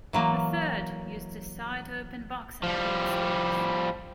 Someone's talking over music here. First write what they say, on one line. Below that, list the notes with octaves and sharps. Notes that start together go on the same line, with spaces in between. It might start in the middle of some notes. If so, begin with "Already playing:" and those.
The third used a side-open box and paper sleeves.
E3 F#3 A#3
F3 G3